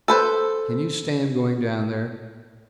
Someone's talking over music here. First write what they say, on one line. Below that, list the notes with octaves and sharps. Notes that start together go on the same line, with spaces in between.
Can you stand going down there?
A4 B4 C5